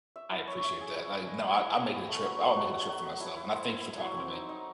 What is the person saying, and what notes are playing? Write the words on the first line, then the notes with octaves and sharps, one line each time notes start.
I appreciate that. Like, no, I I'm making a trip, I'll make it a trip for myself, and I thank you for talking to me.
E5
E4
C#5
E4
G#4
E4
E4
D#5
D#5
E4
D#5
E4
A3
F#3
A3
F#3
F#3
F#3
D#5
E4
E4
C5
E4
E4
F#3
C4
D#4
D#4